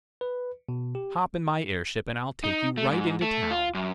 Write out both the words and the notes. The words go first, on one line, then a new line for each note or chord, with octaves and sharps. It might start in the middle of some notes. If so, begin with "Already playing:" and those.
Hop in my airship and I'll take you right into town.
B4
B2
G4
D#4
A3
G#2
A3
F4
F#2